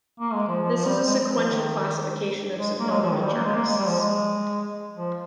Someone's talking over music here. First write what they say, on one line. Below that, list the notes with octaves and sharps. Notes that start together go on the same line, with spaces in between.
This is a sequential classification of some notable jurists.
A#3
G#3
F3
F3
F3
G3
G#3
F3
D#3
G#3
A#3
G#3
F3
D#3
G3
A#3
G#3
A#3
G#3
G3
F3
G#3
F3